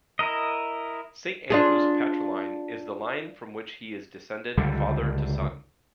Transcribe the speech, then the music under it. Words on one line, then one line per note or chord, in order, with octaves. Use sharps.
Saint Andrews's patriline is the line from which he is descended father to son.
E4 A#4 D#5
D4 F4 G#4
C#2 D3 G3